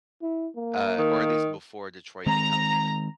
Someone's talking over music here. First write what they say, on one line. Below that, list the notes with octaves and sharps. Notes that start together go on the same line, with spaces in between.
uh, or at least before Detroit: Become Human,
E4
A#3
D#3
D#3 G#3 C4 A#5